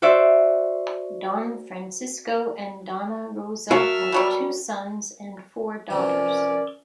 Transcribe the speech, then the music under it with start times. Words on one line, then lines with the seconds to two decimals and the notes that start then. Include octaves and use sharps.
Don Francisco and Donna Rosa had two sons and four daughters.
0.02 F#4 C5 D5 E5
3.71 F#3 F#4 A#4 E5 F5 A5 F6
4.12 B2 F#3 G3
5.90 C3 E3 F3 C#4 A#4 D5